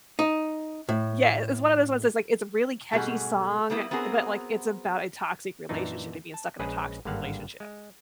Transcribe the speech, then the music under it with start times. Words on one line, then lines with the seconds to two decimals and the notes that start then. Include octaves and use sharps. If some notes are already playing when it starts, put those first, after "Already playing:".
yeah, it's one of those ones that's, like, it's a really catchy song, but, like, it's about a toxic relationship and being stuck in a toxic relationship.
0.19 D#4
0.89 A2
2.92 G#2 B2 G3 A3 F#4 G#4
3.70 G3 A#3 B3 E4
3.91 B3 C4 F#4 G#4 A#4
5.69 F#2 A#2 E3 D4 D#4
6.34 A5
6.59 A#1 G#3 C#4 G#4 B4
7.05 G#1 G2 D3 A#3 F5 F#5
7.60 G#3